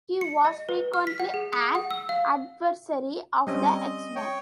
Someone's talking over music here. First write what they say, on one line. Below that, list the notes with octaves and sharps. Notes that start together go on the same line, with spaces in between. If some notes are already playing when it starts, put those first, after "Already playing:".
He was frequently an adversary of the X-Men.
C#7
D#5
B4
F6
B6
F#5
G#4
D#6
F#5
E6
F5
G3 C4 C#4 D#5
C#5 G5